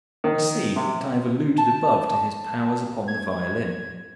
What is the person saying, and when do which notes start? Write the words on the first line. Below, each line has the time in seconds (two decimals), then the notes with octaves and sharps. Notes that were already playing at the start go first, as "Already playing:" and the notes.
I see that I have alluded above to his powers upon the violin.
0.24 D#3
0.76 C3
1.58 A5
3.08 G#6